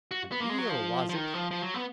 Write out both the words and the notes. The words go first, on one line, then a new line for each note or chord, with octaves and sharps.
An eel, was it!
F#4
B3
A#3
G#3
F#3
F3
F3
D#3
F3
F3
F#3
B3